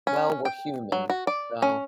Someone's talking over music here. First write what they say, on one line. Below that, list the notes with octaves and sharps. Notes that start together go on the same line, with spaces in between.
Well, we're human, so
C#4
G5
F#3
F#4
D5
C#4